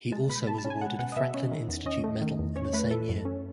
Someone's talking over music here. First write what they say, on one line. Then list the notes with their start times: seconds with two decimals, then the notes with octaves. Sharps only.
He also was awarded a Franklin Institute Medal in the same year.
0.12 G#3 A5
0.29 B2 B5
0.46 B2 A5
0.58 A5
0.65 C#4
0.70 G#5
0.81 G#3 F#5
0.99 B2 F#5
1.12 D#5
1.16 B2 E5
1.34 C#4
1.52 D#3
1.68 E2
1.86 C#4 D#5
2.04 A3
2.21 D#3
2.39 E2
2.56 C#4 C#5
2.73 A3 B4
2.91 E3 A4
3.09 F#2
3.25 C#4